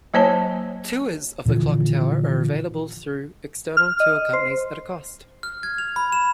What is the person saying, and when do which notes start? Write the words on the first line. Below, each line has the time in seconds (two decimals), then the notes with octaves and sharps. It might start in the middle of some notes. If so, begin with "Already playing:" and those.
Tours of the clock tower are available through external tour companies at a cost.
0.14 F#3 A#3 C5 C#5 A5
1.46 A#2 D3 E3 F3
3.77 F6
4.00 D#5
4.33 C5
5.43 F6
5.63 G#6
5.78 F7
5.96 B5
6.12 E7